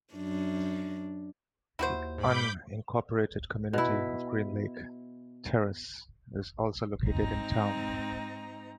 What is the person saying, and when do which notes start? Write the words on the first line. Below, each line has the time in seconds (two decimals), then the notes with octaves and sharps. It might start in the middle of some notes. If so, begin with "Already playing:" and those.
The unincorporated community of Green Lake Terrace is also located in the town.
0.14 F#2 D4
1.79 D#2 E4 F#4 C5
2.18 G#2 B5 D6 G6
3.73 B2 E4
7.07 G#2 C4 D#4 A#5